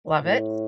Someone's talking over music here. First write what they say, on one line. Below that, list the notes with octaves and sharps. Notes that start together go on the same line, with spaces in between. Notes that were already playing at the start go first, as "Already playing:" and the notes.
Love it.
A2